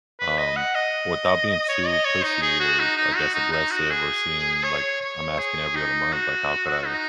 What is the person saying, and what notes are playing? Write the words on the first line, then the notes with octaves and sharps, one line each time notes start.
Um, without being too pushy or, I guess, aggressive or seem, like, I'm asking every other month, like, how could I
B4
D#5
F#5
D#5
C#5
D#5
C#5
D#4
G#4
F#4
D#4
D#4
F#4
D#4
D#4
F#4
G#4
C#5
C#5
G#4
D#4
F#4
D#4